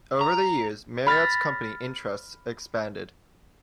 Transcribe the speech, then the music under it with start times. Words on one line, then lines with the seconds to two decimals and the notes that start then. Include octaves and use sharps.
Over the years, Marriott's company interests expanded.
0.21 A#5
1.06 B5 F6 A6 A#6